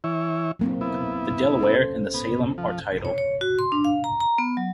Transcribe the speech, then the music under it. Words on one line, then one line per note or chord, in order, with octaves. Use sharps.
The Delaware and the Salem are tidal.
E3 E4 C#5
F#3 A#3 C4
B3 E4
C#4 A4 C5
B3
F3
C#5
C#5
F#4
C6
D4
F5
A#5
A#5
B3
F#3